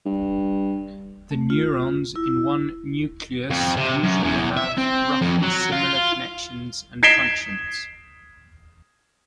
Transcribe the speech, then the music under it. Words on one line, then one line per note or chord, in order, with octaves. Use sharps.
The neurons in one nucleus usually have roughly similar connections and functions.
G2
A3
F4
E4
F2
C3
F#2
E2
E5
C4
F2
F#3
F4
G#6 B6 C7 D7 E7 G7